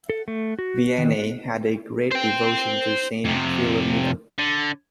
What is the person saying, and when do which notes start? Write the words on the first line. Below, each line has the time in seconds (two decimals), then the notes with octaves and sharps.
Vianney had a great devotion to Saint Philomena.
0.10 A4
0.28 A3
0.59 F#4
0.98 D#3
2.12 C5 G5
3.25 F2 C3
4.39 D3